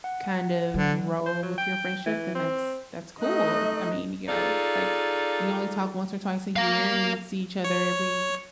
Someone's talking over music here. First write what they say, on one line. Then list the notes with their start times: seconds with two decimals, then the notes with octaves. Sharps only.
kind of roll with your friendship, then that's that's cool. If, I mean, you know, like, if you only talk once or twice a year and see each other every
0.04 F#5
0.74 D3 F#3
1.26 C5
1.43 F#3
1.58 G5
2.06 E3
2.35 C4
3.21 A3 D#4 D#5 F#6
4.29 D#4 F4 G#4 A4 D5
6.56 A#4 F5
7.64 C#5